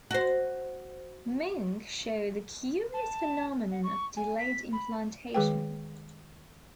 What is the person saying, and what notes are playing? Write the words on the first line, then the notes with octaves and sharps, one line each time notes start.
Mink show the curious phenomenon of delayed implantation.
F#4 C5
A5
F#5
C#6
G#5
B6
B5
D#3 G#3 G#4 B4 G5